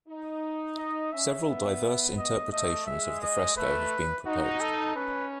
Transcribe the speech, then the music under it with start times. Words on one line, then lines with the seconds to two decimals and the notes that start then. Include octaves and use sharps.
Several diverse interpretations of the fresco have been proposed.
0.08 D#4
0.78 D#5
1.12 C#4 E5
1.47 B3
2.17 D#5
2.51 A3 D#5
2.86 G#3 E5
3.22 D#5
3.56 A3 B4
4.26 D#4 F#4
4.61 A4
4.95 C#4 B4